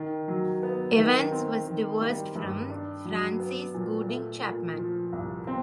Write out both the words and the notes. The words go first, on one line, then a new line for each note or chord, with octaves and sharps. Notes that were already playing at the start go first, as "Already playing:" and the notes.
Evans was divorced from Frances Gooding Chapman.
Already playing: D#3
F#3
B3
D#3
C4
D#3
G3
G2
D4
F#3
B3
A#2
A3
A#2
F3
C2
C4